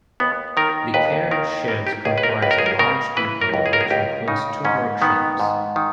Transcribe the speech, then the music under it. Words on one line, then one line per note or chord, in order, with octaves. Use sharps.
The carriage sheds comprise a large depot which includes two workshops.
D#2 B3
D#3 A#4
D#2 B4
D#3 A#4
E3 A#4
G4
C#2 G#4
B4
A#4
C#2 B4
A#4
G#4
A#4
C#3 A#4
E3 B4
A#4
C#2
G#4
A#4
G#4
C#2 G4
C#3 D#4
G#2 C#4
D#3 B3
G#2
D#3